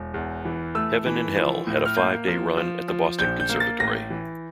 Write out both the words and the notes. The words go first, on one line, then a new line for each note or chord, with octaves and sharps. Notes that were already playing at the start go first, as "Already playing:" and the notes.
"Heaven and Hell" had a five-day run at the Boston Conservatory.
Already playing: E1
E2
E3
A3 E6
E3
F3
A2
F6
A#3 G6
F3
F3
F3
A#1 G6
G6
A#3
A6
A1 A#6
E3